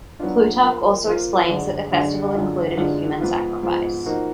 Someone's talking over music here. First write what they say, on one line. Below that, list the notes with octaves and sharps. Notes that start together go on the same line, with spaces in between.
Plutarch also explains that the festival included a human sacrifice.
F#3 B3 D4 F4
F3 A#3 F4
F3 A#3 F4
F#2 D3 G#3 D4 F#4
F#2 D3 G#3 D4 F#4
F#2 D3 G#3 D4 F4
F#2 D3 G#3 D4 F4
G#2 F3 B3 F4
G#2 F3 B3 F4
F3 A#3 D#4 F#4